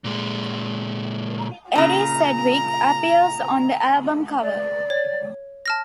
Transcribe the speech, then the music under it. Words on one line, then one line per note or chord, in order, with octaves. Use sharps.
Edie Sedgwick appears on the album cover.
A#2 G#3
A#2 C#3 A#5
D5
C#5
A5 F6 A#6